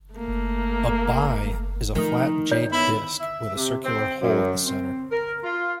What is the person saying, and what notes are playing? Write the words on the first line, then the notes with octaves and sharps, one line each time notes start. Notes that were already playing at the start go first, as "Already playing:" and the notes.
A "bi" is a flat jade disc with a circular hole in the centre.
A3 A#3
D#3 F3 A3 D#6
C#5
B3 E4 E5 B5
E5
C3
C4
F#2
C4
A#4
F4